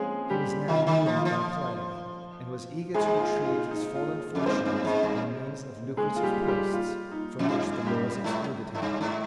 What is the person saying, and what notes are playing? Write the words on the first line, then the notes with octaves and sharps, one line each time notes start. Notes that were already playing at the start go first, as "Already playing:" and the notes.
He was now ruined by play, and was eager to retrieve his fallen fortunes by means of lucrative posts from which the laws excluded him.
Already playing: F3 G#3 C4 C#4 G#4
G3 G4
D#3 F4
D#3
D#4
F3
F4
F3
G#2 G#3 G#4
F4
F4
D#4
F4
F2
G2 C4 C5
G2
G#2
G2
G#3 G#4
F4
G3 G4
F4
G3 G4
F4
D#4
F2
G2 F4
G3 G4
G#2
G#2
G2
G#2